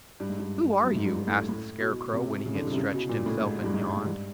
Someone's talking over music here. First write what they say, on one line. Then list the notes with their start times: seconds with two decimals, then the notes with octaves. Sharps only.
"Who are you?" asked the Scarecrow when he had stretched himself and yawned.
0.20 G2
0.29 G#2
0.39 G2
0.84 F#2
0.96 G#2
1.06 G2
1.27 A2
1.49 A2
1.80 B2
2.13 C3
2.46 C#3
2.55 D3
2.67 C#3
2.72 C3
2.78 C#3
2.94 B2
3.09 A#2
3.26 A2
3.41 G#2
3.64 G2
3.74 G#2
3.97 G#2
4.06 G2